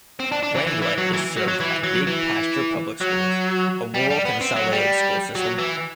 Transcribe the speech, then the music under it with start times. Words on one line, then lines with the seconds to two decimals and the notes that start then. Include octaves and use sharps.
Randlett is served by Big Pasture Public Schools, a rural consolidated school system.
0.20 C4
0.32 D4
0.43 D4
0.55 E3
0.67 E3
0.82 E3
0.98 F#3
1.14 E3
1.37 F#3
1.48 F#3
1.60 E3
1.84 F#3
2.07 E3
3.01 F#3
3.94 G3
4.10 G3
4.25 B3
4.41 C4
4.56 F#3
4.72 G3
5.35 F#3
5.58 E3